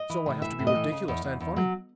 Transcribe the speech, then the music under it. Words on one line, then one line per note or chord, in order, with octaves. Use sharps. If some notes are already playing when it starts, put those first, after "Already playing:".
So I have to be ridiculous and funny.
Already playing: D#5
E3
A2
E3 E5
A2
D#5
E3
C#3
E2
E2
E2
F#3